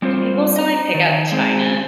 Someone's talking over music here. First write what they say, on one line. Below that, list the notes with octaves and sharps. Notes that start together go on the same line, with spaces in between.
do people still, like, pick out china?
G3 C4 F4 C5
D#5 A#5
D#3
G#3 C4